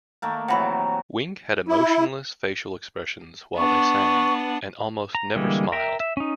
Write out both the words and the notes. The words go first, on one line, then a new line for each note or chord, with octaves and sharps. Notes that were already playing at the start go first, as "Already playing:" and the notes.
Wink had emotionless facial expressions while they sang, and almost never smiled.
D#3 A3 A#3
C3 E3 F#3 F#5 B5
E4
B3 D4 C#6
A#5
D3 E3 G3 G#3 A#3
A#4 E5 G5 A#5
E5
C#4 D#4